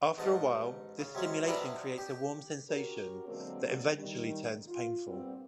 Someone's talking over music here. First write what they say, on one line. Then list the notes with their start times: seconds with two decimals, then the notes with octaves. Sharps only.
After a while, this stimulation creates a warm sensation that eventually turns painful.
0.18 A1 G#2 D#4 F#5 A5
0.99 C#3
1.15 C3 F#3 G#3 C#4
1.46 B1 C3 B3 D4 E4 A#4
1.98 G4
2.69 C#4 F#4 G4 A#4
3.27 B2 D3 F#3 G#3 A#3 C4
3.96 D#3 G3
4.68 F4
5.08 G2 A#2 G3 B3 C4